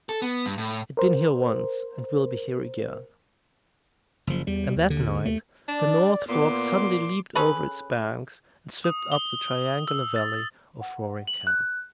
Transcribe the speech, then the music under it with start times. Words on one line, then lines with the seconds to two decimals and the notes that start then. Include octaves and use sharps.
"It been here once and will be here again!" And that night the North Fork suddenly leaped over its banks and swept up the triangular valley of Roaring Camp.
0.09 A4
0.22 B3
0.46 G2
0.58 A2
0.97 A#4 C5
4.27 F#1 F3
4.47 E2 G3
4.76 D#2
4.90 D3
5.25 D#2 A3
5.68 D4 D5
6.29 A#2 B3 C6 D6
7.35 C#4 G#4 A4 B4
8.84 D#6
9.12 G7
9.88 E6
10.16 A6
10.81 F#5
11.27 F#7
11.47 F#6